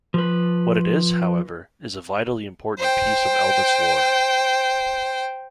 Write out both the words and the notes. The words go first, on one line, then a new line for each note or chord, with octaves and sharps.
What it is, however, is a vitally important piece of Elvis lore.
F3 B4
C5 G5